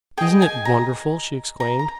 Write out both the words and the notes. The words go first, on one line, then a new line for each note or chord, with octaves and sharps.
"Isn't it wonderful!" she exclaimed.
G#4 D#5 G5
G#5
A#5
A#5
A#5